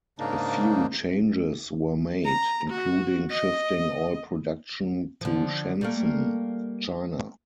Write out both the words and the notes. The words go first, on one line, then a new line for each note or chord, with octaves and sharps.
A few changes were made, including shifting all production to Shenzhen, China.
G#2 C#3 A#3 D4 D#4
A#5
F#4
D#5
D3 F3
G3 A3 A#3